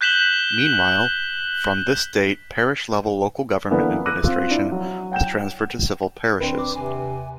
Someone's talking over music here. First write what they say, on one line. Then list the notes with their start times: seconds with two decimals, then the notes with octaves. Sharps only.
Meanwhile, from this date parish-level local government administration was transferred to civil parishes.
0.01 F#6 G6 B6 E7 F#7 G7
3.71 D3 E3 A#3 B3 D4 E4
4.06 D6 E6 F#6 A#6 D#7
4.24 C4 F4
4.51 D4 E4
4.72 F#3
5.12 F#5 G5 G6 E7
6.40 D#2 C4 D4 B4
6.58 D6
6.75 C3 G#5